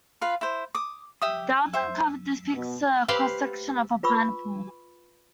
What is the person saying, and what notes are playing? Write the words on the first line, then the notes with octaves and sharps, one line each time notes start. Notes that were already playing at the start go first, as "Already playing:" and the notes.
The album cover depicts a cross section of a pineapple.
F4 B4 F5
E4 C5
D6 D#6
G4 E5 D#6
C5 E5
B2
G4 B4 C5 F5
F4 B4 B5 C#6 E6